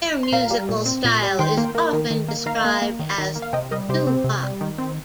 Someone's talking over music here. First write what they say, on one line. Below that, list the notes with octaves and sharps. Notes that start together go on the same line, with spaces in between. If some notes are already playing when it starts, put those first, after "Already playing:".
Their musical style is often described as doo-wop.
C6
A#2 F5 A#5
G3
A#2
C4
A#2
G3
D#3 G5 C6
A#3
A#3
D#3
D#3
A#3
D#3 F5 A#5
A#3
A#3
D#3
D#3
A#3
F5
C3 D#5 G5
G3 A#4 D#5
C3 G4 C5
C4
C3
G3
D#3
C4